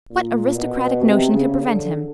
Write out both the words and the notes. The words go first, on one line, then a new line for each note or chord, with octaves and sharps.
What aristocratic notion could prevent him?
A#2
B2
C3
C#3
D3